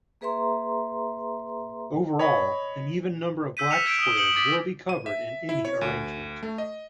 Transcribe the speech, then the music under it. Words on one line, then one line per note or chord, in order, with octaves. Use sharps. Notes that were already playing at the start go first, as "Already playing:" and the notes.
Overall, an even number of black squares will be covered in any arrangement.
A#3 G#4 B4 E5 A#5 C6
C#5 D#5 B5
E6 G6 B6 D#7
F6 A#6 B6 C#7 E7 F7
E6 G6 G#6 C7 D7 E7
D#6 D7 D#7 G7
D#6 G6 C#7 D7 F#7
D6 D#6 G#6 A6 B6 D7
D#7
E5
E4
C#5
D2
A3
D#5